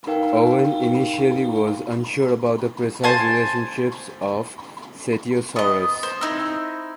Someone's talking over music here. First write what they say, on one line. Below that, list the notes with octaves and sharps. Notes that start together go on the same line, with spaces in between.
Owen initially was unsure about the precise relationships of "Cetiosaurus".
D#4 A#4 F5 G5
C5 G#5 A5
B3 D#5
C5
C4 D#4 E4